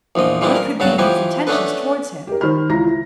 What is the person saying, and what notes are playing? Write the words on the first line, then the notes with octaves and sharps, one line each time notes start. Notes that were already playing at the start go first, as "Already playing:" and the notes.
What could be his intentions towards him?
A#1 E2 F3 D#5
E3 F3 G3 G#3 D4 E4
A#4
G2 C#3 F#3 F#4 A5
E3 F3 B3 G4 G#5
A3 B3 C#4 D4 A4 B4
G4 A#4
D#3 C5 B5 F6
C#2 E3 E4 A#5 A#6
E4